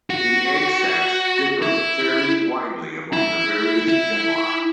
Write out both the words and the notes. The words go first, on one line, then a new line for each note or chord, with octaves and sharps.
The egg sacs differ fairly widely among the various genera.
F#4
E4
E4
E4